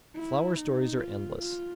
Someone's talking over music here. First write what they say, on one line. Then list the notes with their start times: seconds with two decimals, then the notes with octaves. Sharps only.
Flower stories are endless.
0.15 E4
0.57 D#4
0.99 F4
1.41 F4